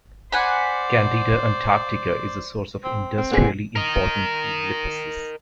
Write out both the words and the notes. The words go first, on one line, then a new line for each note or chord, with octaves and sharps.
"Candida antarctica" is a source of industrially important lipases.
C5 D5 F#5 G#5 B5
C4
C4
D3 B3 G#4
A#4 D#5